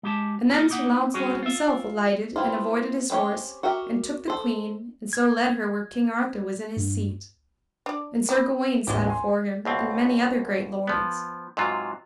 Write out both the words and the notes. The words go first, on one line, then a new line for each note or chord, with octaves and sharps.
And then Sir Launcelot himself alighted and avoided his horse, and took the queen, and so led her where King Arthur was in his seat: and Sir Gawaine sat afore him, and many other great lords.
G#3 G4 A5
A#3 F4 A4
A#3 D#4 E4 F#5
G3 C#4 F#4 G#4 C#5
F4 E5
B3 C4 E4 F4
C4 C#4 E4 G4 C#5
F#4 G4 A#4 E5
A4 C5
G#6
G2
D4 D5
B3 G4 B4
A1 D#2 B3 C#4 G4
G#5 C6
C#2 B2 C4
F3 B3
G#2 C3 F#3 F4